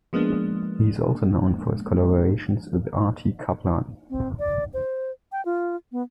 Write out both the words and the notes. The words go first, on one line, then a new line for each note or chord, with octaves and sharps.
He is also known for his collaborations with Artie Kaplan.
F3 G#3 A#3 B3 D4
C4
D5
C5
G5
F4
B3